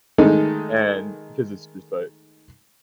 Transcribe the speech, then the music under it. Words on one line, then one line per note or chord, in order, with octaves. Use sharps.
and because it's just, like
D#3 G#3 A3 D#4 A4